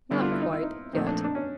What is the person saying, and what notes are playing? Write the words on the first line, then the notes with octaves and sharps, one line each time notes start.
'Not quite, yet.
D3 G3 B3 D4 E4
F4
E4
D#4
E4
D#4
A#2 F3 A3 C4 D#4
D4
D4
C#4